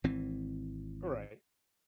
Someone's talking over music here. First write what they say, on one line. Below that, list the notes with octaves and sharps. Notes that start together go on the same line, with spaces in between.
All right.
G#1 E3 C4